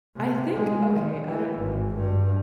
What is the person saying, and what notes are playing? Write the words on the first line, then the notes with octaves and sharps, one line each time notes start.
I think okay, I don't
C3
G#3
D#3
E3
G#1
G2